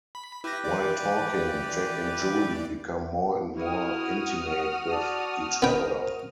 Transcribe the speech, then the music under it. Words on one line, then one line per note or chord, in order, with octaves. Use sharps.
While talking, Jack and Julie become more and more intimate with each other.
B5
E4 G4 B4 A#6
E3 D5
E4 F#4 D#6 F6
D5 A5
B3 A#4 C5 G5